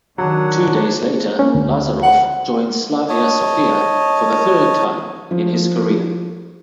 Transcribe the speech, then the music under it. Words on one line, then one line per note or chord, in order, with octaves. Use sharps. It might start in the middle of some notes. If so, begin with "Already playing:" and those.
Two days later, Lazarov joined Slavia Sofia for the third time in his career.
D#3 F#3 D4 C#5 F#5
A#3 C#4
D2
F#5
C#5 D#5 A5
F3